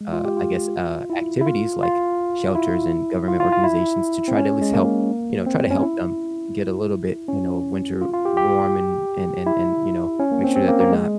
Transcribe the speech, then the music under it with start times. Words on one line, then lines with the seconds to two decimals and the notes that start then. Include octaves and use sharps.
uh, I guess, uh, activities, like, shelters and government organizations to try to at least help, you know, try to help them get a little bit, you know, winter warm and and and, you know, make sure that they're not
0.01 G#3
0.13 F4
0.25 G4
0.37 F4
1.10 E4
1.41 E4
1.46 F4
1.83 F4
2.55 E4
3.28 F4
3.40 F4
3.52 F4
3.64 E4
4.28 C4
4.37 C#4
4.61 G#3
4.73 A#3
5.46 C4
5.71 C#4
5.82 E4
7.28 C#4
8.01 F4
8.13 F4
8.25 G4
8.37 G4
9.46 E4
10.19 C#4
10.32 A#3
10.44 C4
10.56 C4
10.68 A#3
10.80 A#3
10.92 G#3